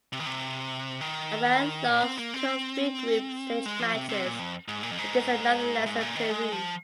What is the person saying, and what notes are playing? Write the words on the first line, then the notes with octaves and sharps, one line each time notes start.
Iran lost two of three group stage matches against the Netherlands and Peru.
C3
D#3
C3
D#3
A#2
C4
A#3
C4
G#3
F3
C3
C3
A#2
F2
G#2
A#2
F2
G#2
G#2
A#2
D#3
G#3
F3